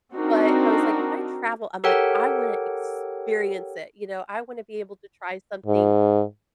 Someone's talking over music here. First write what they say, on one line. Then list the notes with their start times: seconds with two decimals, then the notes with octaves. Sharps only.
But I was like, "If I travel," I'm like, "I wanna experience it," you know? I wanna be able to try something
0.14 C4 D4 D#4 F#4 A#4
1.84 G4 A4 A#4 C#5 F#5 G5
5.66 G#2